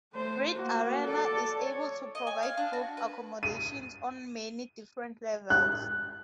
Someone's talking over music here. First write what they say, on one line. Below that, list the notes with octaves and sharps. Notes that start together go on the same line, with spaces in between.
Reed Arena is able to provide group accommodations on many different levels.
A3 C5
A#3 F#4
A4 D5
C#5
D#5
G#5
F5
D4
F#4
B4
D#7
F#6